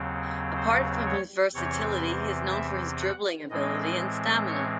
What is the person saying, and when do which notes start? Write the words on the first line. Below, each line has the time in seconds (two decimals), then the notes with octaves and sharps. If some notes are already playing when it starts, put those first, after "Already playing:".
Apart from his versatility, he is known for his dribbling ability and stamina.
Already playing: D#2 C#3 F#3 C4
0.57 C5
1.06 C#5
1.54 E2 C3 E3 C4 C#5
2.52 E5
3.01 F#5
3.50 A2 E3 G#3 C4 D#5
4.48 C#5